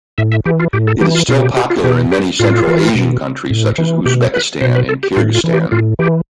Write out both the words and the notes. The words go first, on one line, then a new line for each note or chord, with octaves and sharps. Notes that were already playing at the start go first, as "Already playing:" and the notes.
It is still popular in many Central Asian countries such as Uzbekistan and Kyrgyzstan.
A2 E5
E5
E3 G4
F4
A2 G4
A4
E3 G4
F4
B2 F4
G4
G4
F4
B2 G4
G4
A2 F4
E3
B2
A2
E3
B2 G4
B4
B2 C5
B4
A4
G4
A2 F4
F4
E3
G4
A2 F4
E3 G4